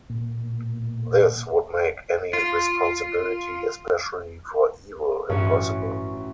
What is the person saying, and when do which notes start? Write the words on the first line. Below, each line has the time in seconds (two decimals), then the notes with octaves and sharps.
This would make any responsibility, especially for evil, impossible.
0.10 A#2
2.33 F4
5.30 A1 G2 C#4 F#4